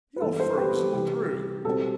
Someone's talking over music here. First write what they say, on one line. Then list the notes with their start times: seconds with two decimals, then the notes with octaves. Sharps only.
You're frozen through!
0.16 B4
0.21 G2 E3 B3 A4
0.40 A4 C5
0.57 G4 B4
0.76 A4
0.93 C3 E3 G3 G4
1.65 B2 G3 C4 A4